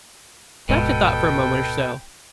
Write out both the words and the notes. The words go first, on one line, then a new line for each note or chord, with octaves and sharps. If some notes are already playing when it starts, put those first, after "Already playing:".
The doctor thought for a moment or so.
D1 G#2 B2 G#3 A4 B4 G5